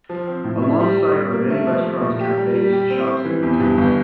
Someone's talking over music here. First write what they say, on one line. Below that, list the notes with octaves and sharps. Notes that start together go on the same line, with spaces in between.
Alongside are many restaurants, cafes, shops and boutiques.
F3
C4
A2
E4
G3
G3
G3
A#3
A3
F3
A3
A#2
G4
G3
G3
G4
C4
C4
E3
E2
G2
G1